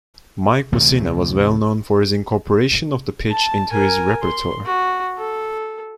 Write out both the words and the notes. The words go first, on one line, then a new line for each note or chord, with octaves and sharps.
Mike Mussina was well known for his incorporation of the pitch into his repertoire.
D2 C3 E3 A3
A5
A#4 G#5
C6
F#4
A4